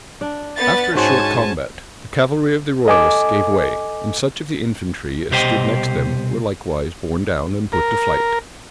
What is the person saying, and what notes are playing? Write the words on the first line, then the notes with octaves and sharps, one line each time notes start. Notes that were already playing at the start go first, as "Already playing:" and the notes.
After a short combat, the cavalry of the royalists gave way; and such of the infantry as stood next them were likewise borne down and put to flight.
D4
B3 A6
G#2 C#4 F#4 C5 G#5 A5
A4 D#5 G#5 D6
C2 B2 G4 C5 D#5 G5
A#4